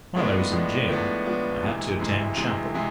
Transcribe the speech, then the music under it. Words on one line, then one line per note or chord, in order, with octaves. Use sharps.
While I was in gaol I had to attend chapel.
A2 F3 G#3 B3 D4
A2 F3 G#3 B3 D4
A2 F3 G#3 B3 D4
A2 F3 G#3 B3 D4
D2 C3 E3 G#3
D2 C3 E3 G#3
D2 C3 E3 G#3
C3 E3 G#3